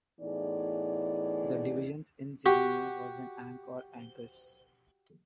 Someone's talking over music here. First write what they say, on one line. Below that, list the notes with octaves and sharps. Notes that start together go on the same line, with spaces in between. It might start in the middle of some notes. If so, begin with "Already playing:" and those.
The division's insignia was an ankh or ankhus.
A2 E3 B3 D#4 G#4 D5
F#4 G4